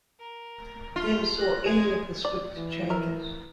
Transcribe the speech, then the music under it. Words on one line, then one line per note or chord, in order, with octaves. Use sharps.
Never saw any of the script changes.
A#4
A3 F4 F6
F#6 A#6
G#3 G#4 G#6
D5
E3
A#4 E5